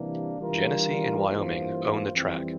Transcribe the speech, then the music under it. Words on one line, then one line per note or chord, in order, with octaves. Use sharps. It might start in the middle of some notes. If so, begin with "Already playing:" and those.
Genesee and Wyoming own the track.
Already playing: C3 E3 G3 A#3 D4
E3 G3 D4 F4 A#4
G2 E3 A#3 F4 C5
F2 E3 G3 C4